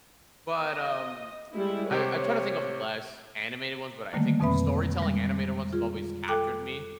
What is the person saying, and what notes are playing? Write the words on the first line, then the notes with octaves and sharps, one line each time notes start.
But, um, what's a I I'm trying to think of less animated ones, but I think storytelling animated ones has always captured me.
D#5
G3 G#3 E4
C3 G4 C5 C#5
D3 D#3 G3 A3 A#3
F2 B2 C4 B4 E5 B5
G3 G#3
F4 G#4
A4 G5 D6 F#6